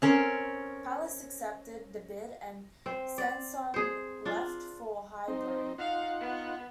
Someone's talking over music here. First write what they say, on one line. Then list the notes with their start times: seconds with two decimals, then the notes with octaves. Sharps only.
Palace accepted the bid and Sansom left for Highbury.
0.02 C4 C#4 A#4
2.86 C4
3.18 D5
3.74 G#4 C5
4.25 D4 F4
5.28 C4 D#4
5.78 D#4 F4 F5 F#5
6.21 B3